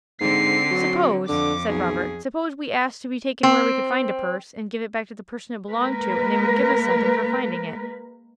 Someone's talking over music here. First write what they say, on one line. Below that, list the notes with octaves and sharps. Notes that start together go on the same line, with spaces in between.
'Suppose,' said Robert--'suppose we asked to be taken where we could find a purse and give it back to the person it belonged to, and they would give us something for finding it?'
G#2 D3 C4 C7
F#3
F2 D3 D6
B1 G#4
C4
G#3 A#3 A#4 B4